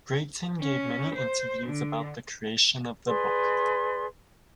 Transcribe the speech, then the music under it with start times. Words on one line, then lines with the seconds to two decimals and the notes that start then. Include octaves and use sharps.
Breton gave many interviews about the creation of the book.
0.62 C#4
1.15 C5
1.67 D3
3.06 G#4 B4 D5 C6